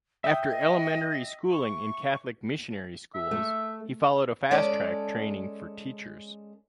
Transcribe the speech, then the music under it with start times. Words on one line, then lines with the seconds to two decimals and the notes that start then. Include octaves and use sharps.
After elementary schooling in Catholic missionary schools, he followed a fast-track training for teachers.
0.24 E5 G5 D#6
0.50 D#5
1.51 C#6
3.15 E5
3.31 A3
4.51 G#3 C#4 A4 D5